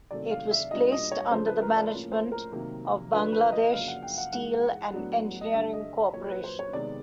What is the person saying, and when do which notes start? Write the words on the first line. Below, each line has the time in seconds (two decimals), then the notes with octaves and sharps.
It was placed under the management of Bangladesh Steel and Engineering Corporation.
0.11 C3 D#3 F#3 A3 C4 D5
0.31 F5
0.51 E5
0.71 A#2 G3 A#3 D4 D#5
0.92 D#5
1.12 C#5
1.31 C#3 F3 A3 D4 C5
1.46 B4
1.62 A#4
1.77 D5
1.92 A2 F3 A#3 C#4
2.12 C5
2.32 A#4
2.52 C3 D#3 F#3 A#3
3.13 D3 F3 A3 D4 B4
3.32 B4
3.52 D#5
3.73 F#2 C#3 F3 A#3 D4 F5
3.88 F#5
4.03 G5
4.18 F#5
4.33 G#2 E3 G#3 F#5
4.93 A2 F#3 B3 D4
5.41 D#5
5.53 G2 D3 G3 E5
5.73 D#5
6.13 A#2 F#3 A#3 C#5
6.29 B4
6.44 C5
6.59 C#5
6.73 C3 D#3 G#3 B3 D5